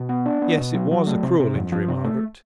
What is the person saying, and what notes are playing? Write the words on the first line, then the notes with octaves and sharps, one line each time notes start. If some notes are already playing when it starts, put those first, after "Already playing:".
Yes, it was a cruel injury, Margaret.
Already playing: B2
B3
D4
B3
B2
F#3
F#3
A3
C3
C3
F2
F3
C3
A3